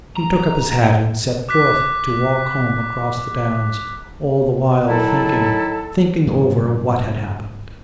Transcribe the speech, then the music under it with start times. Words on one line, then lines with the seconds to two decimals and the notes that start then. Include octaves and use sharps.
He took up his hat and set forth to walk home across the downs, all the while thinking, thinking over what had happened.
0.16 A#5
1.49 D6 F#6 B6
4.88 D#3 F#3 D#4 E4 A4
6.27 G2 C#3 F#3 G#3